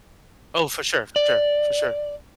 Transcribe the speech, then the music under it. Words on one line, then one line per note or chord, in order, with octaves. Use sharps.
Oh, for sure, for sure, for sure.
D5